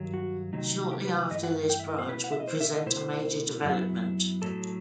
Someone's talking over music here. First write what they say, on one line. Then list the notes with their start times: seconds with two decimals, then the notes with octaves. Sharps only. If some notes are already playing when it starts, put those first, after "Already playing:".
Shortly after this branch would present a major development.
Already playing: G2 D#3 F#3
0.14 F#4
0.53 C3 D#3 F#3 A3 D#4
0.91 G4
1.05 B4
1.18 B4
1.31 G2 E3 A3 E4 D#5
1.43 F#5
1.70 G5
1.80 E5
1.89 D#5
1.99 C5
2.08 B2 A3 E4 B4
2.24 F#5
2.32 E5
2.40 D#5
2.48 C5
2.61 E5
2.73 D#5
2.86 B2 A3 E4 C5
3.64 F#2 F#3 B3 E4
4.42 A2 F#3 A3 A4